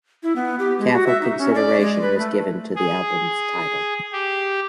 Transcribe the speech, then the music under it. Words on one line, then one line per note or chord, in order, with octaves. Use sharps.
Careful consideration was given to the album's title.
E4
B3
G4
G#3
F#4
E5
D#4
C#4
D5
G#3
B4
A3
G#4
G4